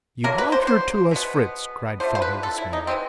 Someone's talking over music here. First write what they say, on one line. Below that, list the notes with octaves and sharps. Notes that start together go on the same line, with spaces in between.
"You brought her to us, Fritz," cried Frau Hildesmuller.
D3 F#3 A#3 A#4
B4
C5
C5
B2 G#3 B3
D3 F3 A3 C5
C5
B4
A4
E4
D#4
B2 G#3 B3 C4